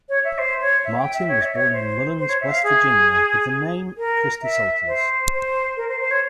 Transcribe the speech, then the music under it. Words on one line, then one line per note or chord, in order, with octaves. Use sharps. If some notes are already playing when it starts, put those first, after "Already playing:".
Martin was born in Mullens, West Virginia with the name Christy Salters.
C#5
E5
C5
C#5
E5
G5
E5
C#5
E5
C#5
C5
C5
C#5
E5
F5
G#4
A#4
E5
C5
C5
A#4
C5
C5
C#5